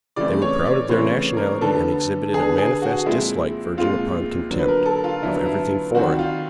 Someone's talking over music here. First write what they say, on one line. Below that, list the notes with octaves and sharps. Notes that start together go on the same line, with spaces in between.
They were proud of their nationality, and exhibited a manifest dislike, verging upon contempt, of everything foreign.
C#3 E3 A3 C4 D5
C#5
D5
C#3 E3 A3 C4 C5
A#4
D3 G3 B3 A4
D3 G3 B3 G#4
G#4
F#4
A#2 F3 G#3 C4 E4
A#2 F3 G#3 C4 F4
D3 F#3 B3
B4
A#4
A4
F4
D3 F#3 B3 E4
E4
D#3 G3 C4 F#4
F4